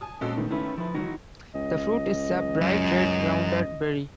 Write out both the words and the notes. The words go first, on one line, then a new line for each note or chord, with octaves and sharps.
The fruit is a bright red rounded berry.
G#5 A5 D#6
A#2 G#3 C4 C#4 F#4 A4
D#3 A3 B3
D#3 A3 C#4 E4 B4
F3 B4
D#3 E3 F#3 D#4 F#4
C#2 D#5
F#2